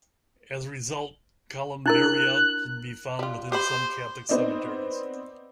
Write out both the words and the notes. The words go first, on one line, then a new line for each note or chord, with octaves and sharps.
As a result, columbaria can be found within some Catholic cemeteries.
D4 E4 A#4 F#6
G3 F4
G4 C5 B5
B3 C4 D#4 D5